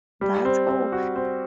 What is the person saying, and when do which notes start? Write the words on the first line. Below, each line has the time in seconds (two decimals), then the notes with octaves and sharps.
That's cool.
0.21 G3
0.45 C4
0.68 C4
0.92 F#4
1.16 C4